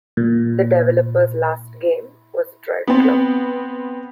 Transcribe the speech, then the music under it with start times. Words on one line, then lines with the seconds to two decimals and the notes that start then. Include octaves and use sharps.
The developer's last game was "Driveclub".
0.17 A#2
2.87 B3 C4